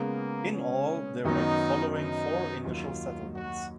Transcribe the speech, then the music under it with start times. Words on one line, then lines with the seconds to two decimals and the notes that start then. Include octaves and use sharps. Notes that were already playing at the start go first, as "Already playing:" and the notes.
In all, there were the following four initial settlements.
Already playing: C#3 G#3 A#3 B3
0.54 C#4
1.24 F#2 D#3 F#3 B3 D#4
1.95 D#4
2.65 D#2 D#3 F#3 F4
3.35 F#4